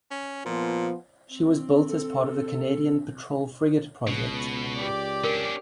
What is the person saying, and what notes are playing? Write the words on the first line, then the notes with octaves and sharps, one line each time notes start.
She was built as part of the Canadian Patrol Frigate Project.
C#4
A#2 F3 B3
C4
A4
C#2 B2
G4 D5
C#4 D4 A#4